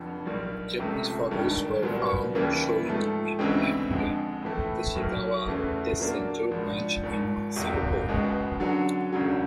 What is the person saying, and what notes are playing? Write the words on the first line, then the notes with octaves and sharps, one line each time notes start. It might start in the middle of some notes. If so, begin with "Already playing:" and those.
Japanese photos were found showing it at the Tachikawa test center branch in Singapore.
Already playing: F1 F2 D3
B1 A#2 G3
C#2 C3 F3 A3
G#1 G2 D#3
C2 A#2 F#3 B3
D#2 C#3 E3 G3 A#3
G#2 F3 A3
D2 C#3 E3 G#3 C4
F2 D3 F3 G#3
A2 E3 A3
B1 B2 F#3 A#3
E2 C#3 E3 A3
A#2 F#3 A#3 D4
A#1 G#2 F3
G#1 G#2 F3
E1 E2 C3 D#3 F#3
C#2 B2 G#3 B3
F#2 D3 F#3
E1 D2 C#3 F#3